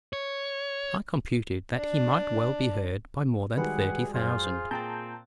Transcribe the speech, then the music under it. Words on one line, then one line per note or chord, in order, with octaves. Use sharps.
I computed that he might well be heard by more than thirty thousand.
C#5
D4
D#3 G3 G#3 F#4 G#4 B4 F#5
F#2 F4 G#4 C5 G6
A#2 C4 G5 A5 A#5 G6 A6